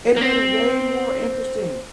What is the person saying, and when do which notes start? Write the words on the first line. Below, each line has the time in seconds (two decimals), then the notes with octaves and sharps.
it'd a made it way more interesting
0.16 A#3
0.21 C4